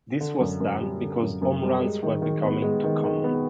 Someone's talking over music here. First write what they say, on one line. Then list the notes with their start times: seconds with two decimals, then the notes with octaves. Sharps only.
This was done because home runs were becoming too common.
0.21 D3
0.40 F#2
0.60 F#2
0.81 G3
1.02 D3
1.22 F#2
1.42 F#2
1.62 G3
1.82 G#3
2.03 D#3
2.22 D#3
2.43 B3
2.62 G#3
2.84 D#3
3.04 D#3
3.24 B3